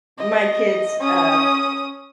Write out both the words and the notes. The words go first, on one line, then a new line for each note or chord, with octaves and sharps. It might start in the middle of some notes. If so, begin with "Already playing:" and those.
my kids, uh
D#5
C#4 D#6